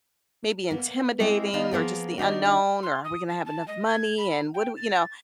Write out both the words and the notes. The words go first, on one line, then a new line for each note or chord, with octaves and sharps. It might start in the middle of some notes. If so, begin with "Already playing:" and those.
maybe intimidating, or just the unknown, or "Are we gonna have enough money, and what do we" you know,
A#3 B3
G#3 A#3 C4 E4 E5
D#3 B3 D#4 D5 F5
F3 A#3 B3 G#4
D#3 D4 D#4 F#4
C6
D#6
A5
A5
D#5
G#6
B5
G5
A6